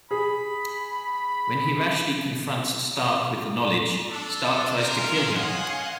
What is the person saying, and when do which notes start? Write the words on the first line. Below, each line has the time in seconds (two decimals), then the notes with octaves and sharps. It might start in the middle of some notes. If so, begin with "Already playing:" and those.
When he rashly confronts Stark with the knowledge, Stark tries to kill him.
0.11 G#4 B5
4.09 D4 A4
4.76 F4 A#4 F5 G#5 C6
5.33 C#5 D#5 F#5